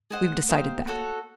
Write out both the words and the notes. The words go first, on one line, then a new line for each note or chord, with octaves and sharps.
We've decided that.
G#3 G#4 C5 D#5 F#5
A3
A#3 D#4 G4 C5 F5
B3
A#3
F#4 A4 C#5 F#5